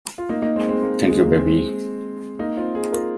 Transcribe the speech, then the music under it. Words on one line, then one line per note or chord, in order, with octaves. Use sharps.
Thank You Baby!
F4
A#3 D#4
A#3 D#4
G#3 C4
G#3 C4
A#3
G#3
A#3
G#3 C4
A#3 D#4
C4 F4
D#4 G#4
F4 A#4